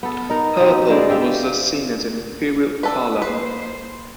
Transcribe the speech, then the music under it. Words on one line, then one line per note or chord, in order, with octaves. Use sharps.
Purple was thus seen as an imperial colour.
B3 A4
D#4 A#4
B2 C4 D#4 G4
D3 G#3 C5 D5
G4 E5 F5
D4 A4 B4
A#3 B4 C5